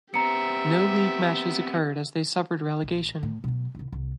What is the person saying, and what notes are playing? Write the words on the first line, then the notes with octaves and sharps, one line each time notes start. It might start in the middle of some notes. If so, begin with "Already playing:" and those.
No league matches occurred as they suffered relegation.
B3 C4 G4 E5 A#5 C#7
A#1
A2
B2 F#3
C2 E4
C2